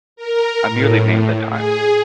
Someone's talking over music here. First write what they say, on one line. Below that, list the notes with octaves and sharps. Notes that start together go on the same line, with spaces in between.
I merely named the time.
A#4
A2
G#4